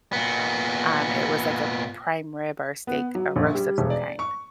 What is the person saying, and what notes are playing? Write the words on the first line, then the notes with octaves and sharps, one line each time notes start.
Um, it was like a prime rib or a steak, a roast of some kind.
A#2 B3
B3
F#3
A#1
G3
E1
D5
C#6